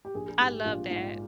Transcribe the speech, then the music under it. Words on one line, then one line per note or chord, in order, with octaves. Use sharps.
I love that.
G4
A#1 G#4
G#4
G#2 G4
A#1 F4
G#2 F4